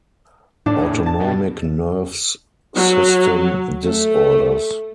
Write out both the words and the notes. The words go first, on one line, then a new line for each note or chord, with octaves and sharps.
Autonomic nerves system disorders.
A2 D4
G#4
A5 A6
B2
F#3
A3